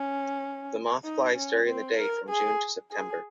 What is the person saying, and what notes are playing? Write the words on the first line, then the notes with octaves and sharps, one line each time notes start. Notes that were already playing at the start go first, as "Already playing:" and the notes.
The moth flies during the day from June to September.
Already playing: C#4
D#4
C#4
C4
A#4
G#4
G#4